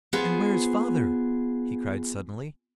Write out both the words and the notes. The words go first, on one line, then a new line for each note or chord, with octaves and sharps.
"And where is Father?" he cried suddenly.
B3 F4 G#4 C5